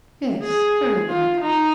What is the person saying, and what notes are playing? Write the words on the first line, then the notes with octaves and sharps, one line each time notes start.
'Yes, very like.
G#4
F4
D#4